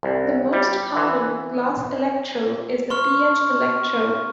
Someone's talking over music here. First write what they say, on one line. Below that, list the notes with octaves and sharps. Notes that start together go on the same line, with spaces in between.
The most common glass electrode is the pH-electrode.
C2
G3
E3
A#5 C6 C#6 F6